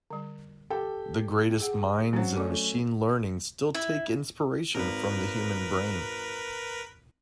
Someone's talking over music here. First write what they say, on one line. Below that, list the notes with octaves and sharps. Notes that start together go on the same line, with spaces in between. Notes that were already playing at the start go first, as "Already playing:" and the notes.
The greatest minds in machine learning still take inspiration from the human brain.
D3 G3
G4 A4 G5
G#4 F#5
F#3 C4 C#4 C5 F#5
F#3 A3 C#4 F#4 A4
E4
G#1 A#4 B4